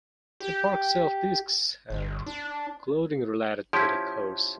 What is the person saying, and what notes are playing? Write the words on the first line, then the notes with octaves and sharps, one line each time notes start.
The park sells discs and clothing related to the course.
G4
G1
D4
F3 C#4 E4 G4